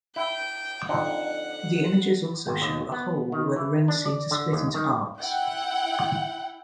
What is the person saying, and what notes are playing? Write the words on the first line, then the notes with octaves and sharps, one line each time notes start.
The images also show a hole where the rings seem to split into arcs.
E4 G5
F2 D3 D#4 F#5
G#1
D#2
B3
D#3
E3
D4
D5
D3
D#2
D#3
E4 F#5 G5